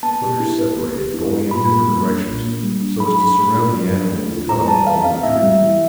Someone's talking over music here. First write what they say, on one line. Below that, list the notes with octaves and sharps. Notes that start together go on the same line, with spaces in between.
The hunters separated, going in different directions, so as to surround the animal and cut off all retreat.
B3 A5
G4
E4
B4
B3
G4
E4
B4
A#2 B5
A#3
G3
D4
A#2
A#3
G3
D4
F#3 B5
D4 B5
A3
F4
F#3
D4
A3
F4
A2 A#5
G3 A5
E3 F5
C4 F5
A2 E5
G3
E3